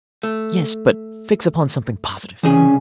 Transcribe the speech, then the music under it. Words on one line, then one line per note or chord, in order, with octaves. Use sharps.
"Yes; but fix upon something positive."
A3
C2 C#3 E3 C#4 G#4